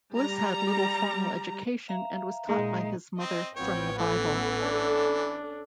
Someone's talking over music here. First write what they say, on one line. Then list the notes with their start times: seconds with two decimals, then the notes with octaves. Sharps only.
Bliss had little formal education and was taught by his mother, from the Bible.
0.15 G3 A#5
1.88 E5 F5 A#5
2.49 A#2 G#3 D#4 G#4
3.20 C4 D#5
3.56 A1 F3 B3 C4 C#5 G5
3.98 E3 C#4 A4
4.60 D4